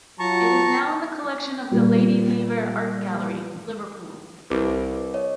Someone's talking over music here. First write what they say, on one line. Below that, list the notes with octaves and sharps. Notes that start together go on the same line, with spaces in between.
It is now in the collection of the Lady Lever Art Gallery, Liverpool.
F#3 F4 A5 A#5 C#6
A#2 G3
C2 B4 D6
C#5 D#5